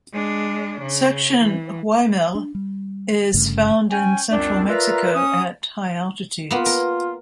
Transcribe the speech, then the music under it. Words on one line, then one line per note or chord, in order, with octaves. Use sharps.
Section "Oiamel" is found in central Mexico at high altitudes.
G#3 D4
C#3
E3
D4
G3
G1 G2 C#3 A3
C#4 G5 G#5
C#2 F#2 C4 D4
F4 A#4 B4 D5 E5 A#5
C#4 D#6
A#3 B3 F4
A#4